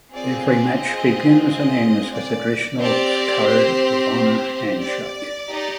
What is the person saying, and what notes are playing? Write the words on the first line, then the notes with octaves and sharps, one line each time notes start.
Every match begins and ends with the traditional Code of Honor handshake.
C4 F4 G#4 D5
D5
D#5
D#5
D5
C4 G4 D5
C5
C5
D5
D#4 G4